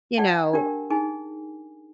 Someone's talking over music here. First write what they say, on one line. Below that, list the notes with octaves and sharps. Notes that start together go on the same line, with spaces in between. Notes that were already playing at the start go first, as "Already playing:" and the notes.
you know
D5 F#5 G5 A5
D4 G4 A#4 G5
D#4 G#4 G#5